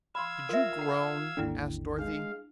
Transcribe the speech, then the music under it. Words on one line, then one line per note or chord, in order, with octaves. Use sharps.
"Did you groan?" asked Dorothy.
F5 B5 C6 E6 G#6
F4 A#4 E5
F#5 A#5
G#1 D#2 D3 C#4 E4
G#3 D4 F5